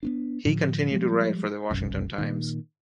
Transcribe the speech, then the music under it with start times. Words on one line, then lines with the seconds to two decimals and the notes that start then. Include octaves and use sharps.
He continued to write for "The Washington Times".
0.03 B3 C#4 D4
0.46 A2 D3 F3
0.91 F3 G3 G#3
1.71 F1 B1 F#2
2.18 A#2 D#3